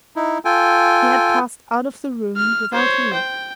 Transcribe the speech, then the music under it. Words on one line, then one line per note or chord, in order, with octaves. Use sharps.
He had passed out of the room without a look!
D#4 E4
F4 A4 G5 G#5
F6
C5 C#5
G5